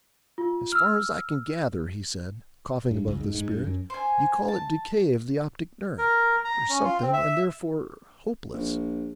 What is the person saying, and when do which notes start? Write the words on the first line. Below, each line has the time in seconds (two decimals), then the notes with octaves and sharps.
'As far as I can gather,' he said, coughing above the spirit, 'you call it decay of the optic nerve, or something, and therefore hopeless.
0.38 F4
0.72 E6 F6
2.91 G2
3.08 C#2
3.20 G#2
3.35 G#2
3.51 G2
3.64 F#2
3.90 C5 G#5
4.48 A5
5.98 A#4
6.45 A#5
6.69 C#4
6.84 F4
7.02 C4
7.13 E5
8.53 A#1